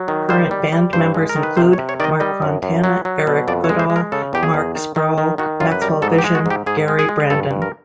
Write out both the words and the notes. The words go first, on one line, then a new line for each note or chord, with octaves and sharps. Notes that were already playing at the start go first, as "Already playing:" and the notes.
Current band members include: Mark Fontana, Erik Godal, Mark Sproull, Maxwellvision, Gary Brandin.
Already playing: F#3
D#3
G3 C5
G3
G3
G2 C5
G#3
A#4
D#3
B4
C3 C5
C#5
C3
C#5
D#3 D5 D#5
G3 D#5
F#2
F#2
F#3
F#3
B2
F2 D5
C#5
G#3
C5
G#3
A#4
C#3 A4
E2 G4
G#4
E2
D#3
D#3
D#3
D#3 F#4
F#2 F4
B4
G3 A#4
G#2 A4
G4
G#3
F#4
G#2 G4
G#2 G#4
G#3
G#4
G#3
G2 A4
G2
A#4